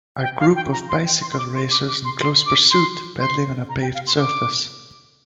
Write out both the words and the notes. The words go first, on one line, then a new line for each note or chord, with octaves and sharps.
A group of bicycle racers in close pursuit, peddling on a paved surface.
G5
F5
G5
A#5
C6
G5
C6
C6
D6
C6
D6
D6
C6
C6
D6
C6
C6
A#5
G5
F5
C6
D6